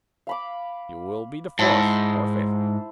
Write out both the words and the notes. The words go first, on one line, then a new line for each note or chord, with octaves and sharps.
You will be the fourth or fifth.
F5 B5 D6
G#2 E4 C5 A5